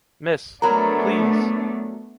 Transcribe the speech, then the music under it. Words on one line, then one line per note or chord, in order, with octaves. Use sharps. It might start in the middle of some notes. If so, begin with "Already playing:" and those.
Mrs!... Please!...
F#3 A3 B3 D4 A#4 A#5 B5